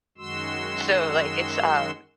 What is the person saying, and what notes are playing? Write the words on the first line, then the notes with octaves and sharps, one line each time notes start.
So like it's, um,
F#2 D#3 G#3 F#4 C6 E6